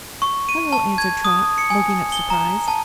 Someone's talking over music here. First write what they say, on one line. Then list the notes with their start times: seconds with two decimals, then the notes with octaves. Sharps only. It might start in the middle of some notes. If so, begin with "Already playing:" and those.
"Hello," answered Trot, looking up surprised.
0.22 C#6
0.49 D#7
0.73 A5
0.98 G#6
1.25 D#6
1.58 C#7
1.70 G#5
2.12 G7
2.30 A#5
2.68 A5